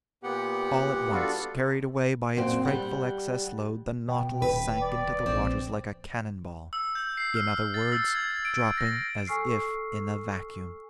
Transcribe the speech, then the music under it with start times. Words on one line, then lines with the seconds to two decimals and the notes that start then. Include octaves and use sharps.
All at once, carried away by its frightful excess load, the Nautilus sank into the waters like a cannonball, in other words, dropping as if in a vacuum!
0.23 A#2 B3 G4 F#5
1.12 G3 B3 D4 F4 F#4 A4
2.37 F#2 A#2 C4
2.65 G3 F#5
4.08 B2 G5
4.42 D#1 B4
4.81 D5
5.26 A#1 C4
6.73 E6
6.95 G6
7.17 C7
7.35 F6
7.74 A6
7.92 E6
8.15 G#6
8.45 D7
8.78 A#6
9.27 A4 G#5 C#6 E6 F6 C7